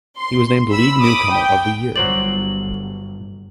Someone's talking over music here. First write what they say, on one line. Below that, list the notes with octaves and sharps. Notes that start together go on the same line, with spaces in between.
He was named league newcomer of the year.
C6
B5 E6
B5 D6 D#6
G5
G1 F#3 C5 D5 F#7